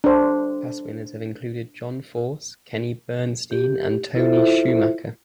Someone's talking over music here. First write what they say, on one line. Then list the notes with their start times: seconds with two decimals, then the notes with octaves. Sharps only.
Past winners have included John Force, Kenny Bernstein, and Tony Schumacher.
0.04 D4 C5
3.51 G4
4.15 E4 F4 A4 C5 E5